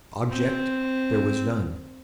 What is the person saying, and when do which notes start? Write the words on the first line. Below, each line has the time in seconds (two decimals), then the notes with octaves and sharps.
Object there was none.
0.31 C4